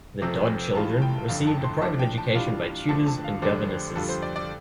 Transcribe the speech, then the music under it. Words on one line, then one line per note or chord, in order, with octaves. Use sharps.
The Dod children received a private education by tutors and governesses.
F1 F2 C3 F3 C4
A1 A2 G3 F4 A5
G5
G1 F2 D3 F5
A5
C6
A2 F3 A3 D4 A5
G5
A5
A1 A2 G3 D4 F4 F5
F2 D3 F3 A3 D4 A5
A5
F5
F1 F2 D3 G3 D4 C5
C5
F2 D3 G3 F4 A4
C5
D5
D5